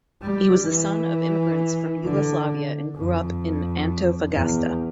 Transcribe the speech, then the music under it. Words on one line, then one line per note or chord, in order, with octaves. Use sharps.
He was the son of immigrants from Yugoslavia and grew up in Antofagasta.
G3
E3
D3
F2
E2